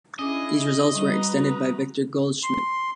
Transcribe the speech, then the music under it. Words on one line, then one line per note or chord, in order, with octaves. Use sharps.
These results were extended by Victor Goldschmidt.
C#4 D4 E4 G#4 D#5 D6
G3 F#4 B4 A#5
C6